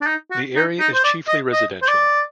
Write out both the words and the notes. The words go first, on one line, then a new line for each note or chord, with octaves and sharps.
The area is chiefly residential.
D4
D#4
F#4
D#4
D#4
C5
D5
D#5
D#5
C5
D5